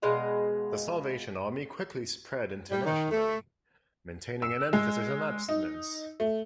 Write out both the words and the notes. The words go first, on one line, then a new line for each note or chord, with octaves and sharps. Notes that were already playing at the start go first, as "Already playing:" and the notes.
The Salvation Army quickly spread internationally, maintaining an emphasis on abstinence.
B2 G#3 D#5 F5
G3
D#3
A3
E6
G#3
D#4
A3